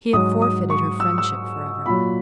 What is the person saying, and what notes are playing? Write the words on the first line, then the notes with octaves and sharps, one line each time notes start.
He had forfeited her friendship for ever.
G#2 F#3 D#6
D#6
C#6
E6
E6
A#2 F#3 B5